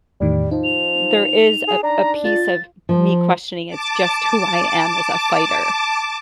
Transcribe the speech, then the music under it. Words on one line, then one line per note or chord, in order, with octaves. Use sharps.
there is a a piece of me questioning it's just who I am as a fighter,
E2 A2 D#3 G3
F3 D#4
F7
G#4
D4 A#5
F4 A6
F3
A5 D6